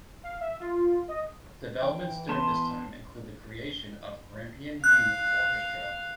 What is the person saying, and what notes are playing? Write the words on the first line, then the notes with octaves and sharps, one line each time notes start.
Developments during this time include the creation of Grampian Youth Orchestra.
F5
E5
F4
D#5
E3 G5
B3 A5 C6
F5 F#6